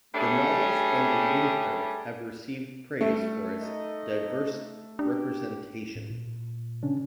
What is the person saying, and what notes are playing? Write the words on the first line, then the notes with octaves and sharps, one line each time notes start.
The novels and the imprint have received praise for its diverse representation.
G3 A3 C#4 D4 G4 G#4
G3 A3
D#4 D#5
D4 G4
A2
A#2
C#3 C#4 D4